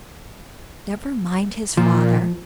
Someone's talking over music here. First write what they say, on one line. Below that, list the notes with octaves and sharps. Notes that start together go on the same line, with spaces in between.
"Never mind his father."
A#2 F3